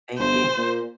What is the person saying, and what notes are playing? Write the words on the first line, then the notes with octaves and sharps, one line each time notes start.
Thank you.
G1 C5
A#2